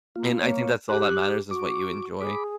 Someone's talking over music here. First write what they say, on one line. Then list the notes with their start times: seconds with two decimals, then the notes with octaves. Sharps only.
And I think that's all that matters is what you enjoy.
0.16 A#3 F4
0.40 A#3 C#5
0.89 G4 F#6
1.51 F#4 D6
2.21 G#4 B5 D6